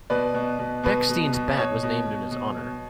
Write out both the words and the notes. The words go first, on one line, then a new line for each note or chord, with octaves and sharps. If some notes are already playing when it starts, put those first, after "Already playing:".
Bechstein's Bat was named in his honour.
B2 B4 D5
B2
B2
B2 B4
B2
B2
B2 C#5
B2
B2
B2
B2